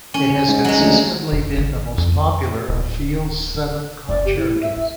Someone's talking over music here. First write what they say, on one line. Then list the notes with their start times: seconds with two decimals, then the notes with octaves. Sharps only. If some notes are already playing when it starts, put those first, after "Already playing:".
It has consistently been the most popular of Field's seven concertos.
0.14 C#4
0.48 G#2
0.64 F#3 G#3
0.79 D2
1.32 F1
1.58 G#1
1.98 F2
2.69 D1
4.09 F#1 C4 D5
4.25 G4
4.37 A#3 E4
4.49 G#2 C4
4.62 E5
4.77 D#4